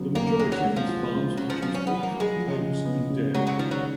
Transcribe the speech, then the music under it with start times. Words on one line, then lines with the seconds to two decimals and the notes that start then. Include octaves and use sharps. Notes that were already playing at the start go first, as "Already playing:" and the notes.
The majority of these farms produce beef, hogs, and dairy.
Already playing: C#3 F#3 B3
0.14 D#2 A#3
0.39 G#3 C#4
0.52 F#3
0.64 G#3
0.76 F3
0.88 F4
1.13 G#3
1.37 F#3 C#4
1.50 F3
1.62 F3 F#3
1.75 C#4
1.86 B3 G#4
2.03 A#3
2.11 F#3
2.20 G#3
2.36 F3
2.61 C#3
2.85 B3
3.10 C#3
3.35 F#3 G#3
3.47 F#3
3.59 D#3 F3
3.71 F#3